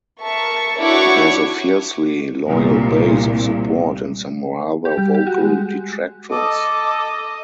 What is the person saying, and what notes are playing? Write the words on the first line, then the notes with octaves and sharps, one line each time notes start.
It has a fiercely loyal base of support and some rather vocal detractors.
A#4 E5 A5 C#6
D4 E4 F#4 C#5 C#6 D6
C2 A#2
G4
G3
G4
F#4
G#3
A4 D#5 D6